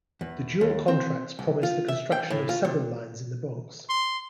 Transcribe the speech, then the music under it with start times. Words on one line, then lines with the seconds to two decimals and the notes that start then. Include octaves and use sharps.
The Dual Contracts promised the construction of several lines in the Bronx.
0.21 E2
0.61 D#2
0.88 C4
1.39 C2
1.63 F4
1.88 E5
2.12 G5
2.30 A2
2.49 F4
2.65 C3
3.89 C6